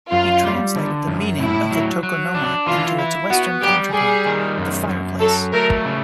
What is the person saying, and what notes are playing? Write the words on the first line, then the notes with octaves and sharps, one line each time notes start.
He translated the meaning of the tokonoma into its western counterpart: the fireplace.
F#2 F4
G3
D3
F#2
A2 E4
F#3
F#3
D4
E3 F4
E4
B3 F#4
G3 G4
G3 G#4
D#3
F#2
F#2
F#3 A4
A3 A#4
C#3